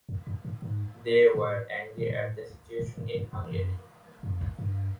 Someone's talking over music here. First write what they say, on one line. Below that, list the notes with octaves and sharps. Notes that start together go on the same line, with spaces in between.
They were angry at the situation in Hungary.
F2
F#2
G#2
G#2
A2
A#2
A2
A2
G#2
G2
F2
F#2
F#2
F2
F#2
G2